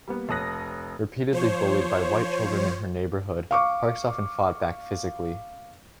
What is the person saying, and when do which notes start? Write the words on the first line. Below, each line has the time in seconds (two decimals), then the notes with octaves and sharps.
Repeatedly bullied by white children in her neighborhood, Parks often fought back physically.
0.08 G3 A#3 B3
0.29 F1 A4 C#5 D#6 F#6 A#6
1.33 F3 C5 C#5
3.51 F5 C#6 D6